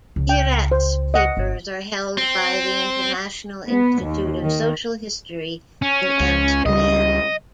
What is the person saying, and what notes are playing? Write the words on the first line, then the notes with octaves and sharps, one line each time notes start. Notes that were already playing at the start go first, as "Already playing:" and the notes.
Peirats papers are held by the International Institute of Social History in Amsterdam.
C#2
G5
C5
D#5 F#5
G1
C4
B3
D#2
D#3
C#4
C#2
C#2 C#3 G3 D#5